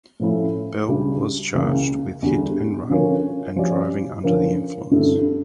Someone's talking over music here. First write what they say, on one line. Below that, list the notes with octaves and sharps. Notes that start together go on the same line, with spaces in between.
Bell was charged with hit and run and driving under the influence.
A2 F3 A3 C#4 E4
C#2 C#3 G3 D4 G4
C#2 C#3 E3 A#3
E2 D3 G3
D3 F3 C#4 F4 A#4
F3 C#4 G4 D5
D3 F3 C#4 F4 A#4
G2 D3 A3 E4 A4